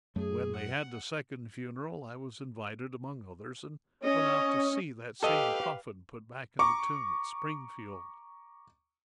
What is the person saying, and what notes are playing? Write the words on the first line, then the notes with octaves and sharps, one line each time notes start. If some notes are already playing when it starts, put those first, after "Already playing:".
When they had the second funeral, I was invited among others, and went out to see that same coffin put back in the tomb at Springfield.
F#2 F#3 A3 G#4
F#5
C#4 D#5
G4 A4 B4 D#5 F5
A#5 C#6 D6